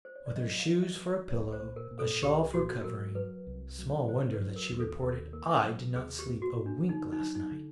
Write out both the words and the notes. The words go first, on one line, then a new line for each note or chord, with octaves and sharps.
With her shoes for a pillow, a shawl for covering, small wonder that she reported, "I did not sleep a wink last night."
C5
C#5
D5
F#3 D#5
F5
F#3
E5
F#3
E5
C2 C#5
C5
A#2
A#4
A#2
A4
C2 G4
A#2 F#4
F#3 A#4
F#3 B4
C2
F#3
D3 C5
B4
F#3
A#4
D#2
A4
D#2 A#4
A#3 A#4
F#3
D#2 G#4
G4
A#3
F#4
A#3
D4
D3 D#4
D#4
F#3
D#4
D3